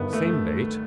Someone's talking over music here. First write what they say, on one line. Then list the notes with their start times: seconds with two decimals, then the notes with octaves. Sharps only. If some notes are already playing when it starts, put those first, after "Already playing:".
Same bait.
Already playing: G1 G2 D#3 B3
0.13 A3